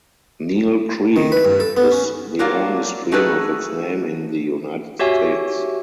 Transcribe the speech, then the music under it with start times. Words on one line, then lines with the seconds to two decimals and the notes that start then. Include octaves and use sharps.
Neill Creek is the only stream of its name in the United States.
1.16 D#3
1.32 B4
1.45 G2
1.60 A4
1.77 B3
1.92 C#4
2.39 F#3 A#3 D4 F4
3.12 A3 D#4 F#4 G#4 A4 B4
4.99 F#4 G4 C#5 E5 G#5